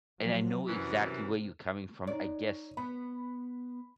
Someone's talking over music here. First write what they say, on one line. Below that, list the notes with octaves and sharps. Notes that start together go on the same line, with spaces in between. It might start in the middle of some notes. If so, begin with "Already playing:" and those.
And I know exactly where you coming from, I guess
F3 F#3
F#2 C3 E3
D#4 C#5 D5
B3 B5